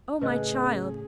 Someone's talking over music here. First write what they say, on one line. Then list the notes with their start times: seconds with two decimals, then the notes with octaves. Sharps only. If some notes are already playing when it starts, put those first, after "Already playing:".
Oh, my child!
0.22 A2 C#3 A3 C#4 G#4 B4 D#5 F#6